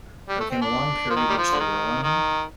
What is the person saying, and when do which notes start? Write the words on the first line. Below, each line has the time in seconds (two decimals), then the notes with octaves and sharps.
There came a long period in which they were alone.
0.29 G3
0.40 A3
0.50 C4
0.61 D4
1.10 F3
1.16 D#3
1.29 G3
1.38 F3
1.52 D3
1.60 D#3
2.03 D#3